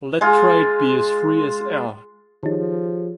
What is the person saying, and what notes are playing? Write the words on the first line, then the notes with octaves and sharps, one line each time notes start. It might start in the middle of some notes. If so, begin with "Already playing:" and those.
Let trade be as free as air.
G#3 F4
D#3 F3 D#4 G4 G#4 C#5